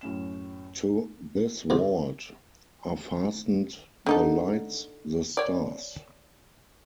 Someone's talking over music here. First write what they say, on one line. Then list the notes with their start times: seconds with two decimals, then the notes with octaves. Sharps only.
To this vault are fastened the lights, the stars.
0.01 F#2 A2 C#4 E7
1.70 C2 F2 C3
4.06 D3 D#4 A4
5.37 C#5 D5